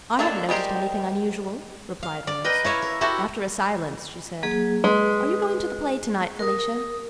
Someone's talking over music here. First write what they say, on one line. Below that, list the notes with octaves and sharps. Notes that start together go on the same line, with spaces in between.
I hadn't noticed anything unusual," replied Rose. After a silence she said: "Are you going to the play tonight, Felicia?
D#3 F#3 A#3 D4 A4
G3 G#3 G4 A#4 C5
F5
D5
A#4 B4 D#5 G5
E4 C#5 E5 F5
A#4
E4 F#4 G4 A4 E5
F#3 A#3 G#4
G#3 B4
A#4 D#6